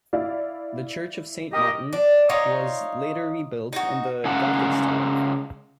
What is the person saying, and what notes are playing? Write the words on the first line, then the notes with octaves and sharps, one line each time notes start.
The church of Saint Martin was later rebuilt in the gothic style.
E4 D5 F5
G4 A#4 D#5
D4
D#4 F4 C#5 D5
D#4 F#4
C#3 G#3 G#4 A#4 F#5 A5